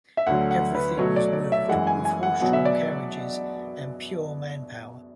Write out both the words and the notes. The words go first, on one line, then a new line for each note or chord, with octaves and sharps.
Everything was moved with horse-drawn carriages and pure manpower.
E5
D2 D3 F#3 F#5
F#5
B4
B2 F#3 A3 C#5
D5
D5
E5
F#2 E3 G#3 F#5
G#5
G#5
F#5
B2 F#3 B3 F#5
E5
D5